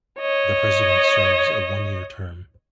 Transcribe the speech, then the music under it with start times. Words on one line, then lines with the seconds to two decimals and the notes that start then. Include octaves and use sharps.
The President serves a one-year term.
0.19 C#5 D#5